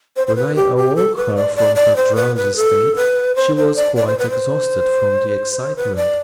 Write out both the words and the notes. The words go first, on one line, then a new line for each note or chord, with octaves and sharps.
When I awoke her from her drowsy state, she was quite exhausted from the excitement.
C5
C5
B4
G4
G4
A4
B4
D5
D5
D5
C5
B4
B4
A4
B4
C5
C5
D5
D5
C5
B4
C5
B4
D5